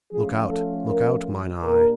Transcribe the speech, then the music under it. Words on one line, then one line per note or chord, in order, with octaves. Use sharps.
Look out, look out, mine eye!
F3 A3 C#4 F4 G#4
A4
A#4
A#2 G3 A#3 D4 A#4